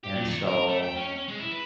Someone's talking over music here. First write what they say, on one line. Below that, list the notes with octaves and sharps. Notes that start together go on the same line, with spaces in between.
And so,
G4
A#2
D#3
A#4
A3
G5
C#4
C#4
G#3
E4
B4